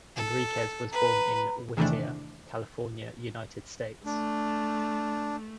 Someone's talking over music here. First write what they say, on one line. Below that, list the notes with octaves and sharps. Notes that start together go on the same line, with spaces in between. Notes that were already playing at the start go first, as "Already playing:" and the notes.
Enriquez was born in Whittier, California, United States.
A4
B4 A#5
E2 C3 D#3 E3 A3 D4
A3 D4